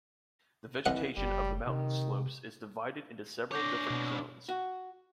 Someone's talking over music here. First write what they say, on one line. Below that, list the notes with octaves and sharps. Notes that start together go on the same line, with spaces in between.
The vegetation of the mountain slopes is divided into several different zones.
C2 E3 D#5 F#5
F#1 G3
C3 D#3
D4 C#5 D6 G6 A#6
B2
F#4